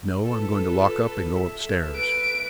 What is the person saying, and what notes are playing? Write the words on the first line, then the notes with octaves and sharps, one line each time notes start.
"No; I'm going to lock up and go upstairs."
F4 A4 B4
A4 E5
B4 D7